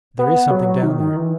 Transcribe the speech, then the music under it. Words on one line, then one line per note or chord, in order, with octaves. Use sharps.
"There is something down there."
B3
F#3
D#3
D#3
E3